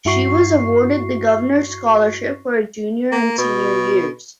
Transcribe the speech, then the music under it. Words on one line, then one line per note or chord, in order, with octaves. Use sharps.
She was awarded the governor's scholarship for her junior and senior years.
G2 E4 F#4 C#6 C7
A#3
B2